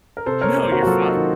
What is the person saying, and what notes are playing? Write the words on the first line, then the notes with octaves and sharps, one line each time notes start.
No, you're fine.
A#4
C3 A4 C5
A#4 C#5
A#3
C5
F#4 A#4
F#4
F#3 F4 A4
D#4
D#3